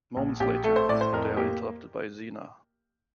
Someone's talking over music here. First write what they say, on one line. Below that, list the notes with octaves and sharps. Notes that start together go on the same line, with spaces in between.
Moments later, they are interrupted by Zeena.
A#1
A#1 G4
A3 A4
C5
A2 D5
C5
F2 A#4
A#3 G4